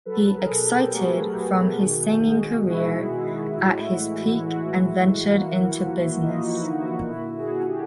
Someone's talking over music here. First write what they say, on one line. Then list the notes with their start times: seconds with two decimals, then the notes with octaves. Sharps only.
He exited from his singing career at his peak and ventured into business.
0.05 F#3 A4 B4
0.36 G#4 A#4
0.51 B2
0.64 G4 A4
0.93 A3 F#4 G#4
1.38 B2
1.82 D#3
2.26 G#3
2.70 D#3 E4 F#4
3.13 G#3
3.58 A2
4.02 E3
4.45 E3 E4 F#4
4.90 E3
5.34 A#3
5.77 F3
6.21 A#3 D#4 F4
6.51 E4 F#4
6.65 D3
6.80 E4 F#4
7.09 A#2 E4 F#4
7.39 F#4 G#4
7.54 A#2
7.68 G4 A4